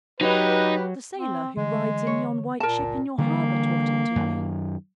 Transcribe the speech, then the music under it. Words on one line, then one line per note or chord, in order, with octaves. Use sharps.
"The sailor who rides in yon white ship in your harbor taught it to me."
F#3 D#4 G4 B4 D#5
C4
D3 E3 G#3
C#5
A#2 A#4 A5
G1 C#2
D3 E3 G3 A#3
F#2 D#3